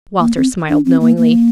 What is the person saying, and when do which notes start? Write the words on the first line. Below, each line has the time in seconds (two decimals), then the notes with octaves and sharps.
Walter smiled knowingly.
0.19 A#3
0.36 C4
0.69 D4
0.85 C4
1.00 A#3
1.17 A#3